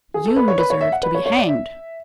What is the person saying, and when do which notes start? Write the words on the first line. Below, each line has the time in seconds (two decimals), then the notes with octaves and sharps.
You deserve to be hanged.
0.14 G#4
0.26 A4
0.36 B4
0.48 C#5
0.58 B4
0.70 C#5
0.81 E5
0.92 F#5
1.03 B4
1.15 C#5
1.26 C#5
1.37 D5
1.48 E5